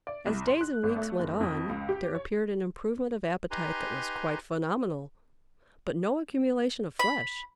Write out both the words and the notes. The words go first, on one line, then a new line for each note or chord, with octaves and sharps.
As days and weeks went on, there appeared an improvement of appetite that was quite phenomenal, but no accumulation of flesh.
D5
C2
C6
F#6
G#1
A3
F#1
F2
C#2
G4
C#5
D#4 G4 B4 G#5 A#5 C6
B5